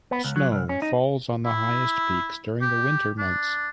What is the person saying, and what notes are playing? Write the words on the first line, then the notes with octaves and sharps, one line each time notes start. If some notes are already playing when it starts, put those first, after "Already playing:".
Snow falls on the highest peaks during the winter months.
B3
C#2
F#3
C2
C#4
D#4
E4
G4
D4